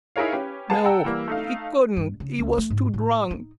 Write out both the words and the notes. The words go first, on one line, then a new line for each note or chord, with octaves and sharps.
No! he couldn't, he was too drunk.
D#4 E4 G#4 A#4 C#5 F5
C#4 G4 B4
G#4 B4 F5 F#5 A5
F#5 G5 A5 A#5 E6
E3 G3 A#3
A3 D#4 F5
G2
C#3
C#2
A3
G#2
A2
D#4